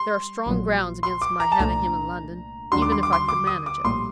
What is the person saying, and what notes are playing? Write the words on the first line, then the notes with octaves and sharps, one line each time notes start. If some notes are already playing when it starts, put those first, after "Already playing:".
There are strong grounds against my having him in London, even if I could manage it.
Already playing: G3 C6
A#1 A#2 F#3
C6
D6
A#5
A5
C2 A#2 A3 D4 A#5
D#2 D3 G3 D4 F#4 C6
D6
C6
D6
C6
D6
D#6
D6
A#1 A2 G3 A#3 C6